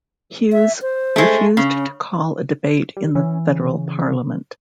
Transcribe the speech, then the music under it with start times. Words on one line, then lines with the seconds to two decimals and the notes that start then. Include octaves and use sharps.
Hughes refused to call a debate in the Federal parliament.
0.52 E5
0.82 C5
1.16 G#3 A3
1.57 C#3 C#4
2.97 G3
3.15 E3 C#4
3.49 C#3